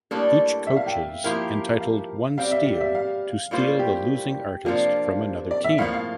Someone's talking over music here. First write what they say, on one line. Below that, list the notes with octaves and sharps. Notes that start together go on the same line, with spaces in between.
Each coaches entitled one "Steal" to steal the losing artist from another team.
A2 G3 A#3 D4 A4
E5
F5
G5
F3 A#3 E4 G4 A#4 F5
F5
G3 C4 G4 F5
E5
D5
E5
F5
A2 G3 A#3 F4 C5
G4
C3 F3 A#3 D4 F4
D5
E5
A2 F3 A#3 F5
F5